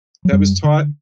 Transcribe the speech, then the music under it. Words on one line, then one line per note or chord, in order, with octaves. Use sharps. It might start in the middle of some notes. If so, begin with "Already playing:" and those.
that was taught.
F#3
F#2 G3
D3